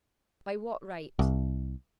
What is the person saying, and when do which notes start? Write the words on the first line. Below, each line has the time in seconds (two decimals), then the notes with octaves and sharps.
By what right?
1.19 C2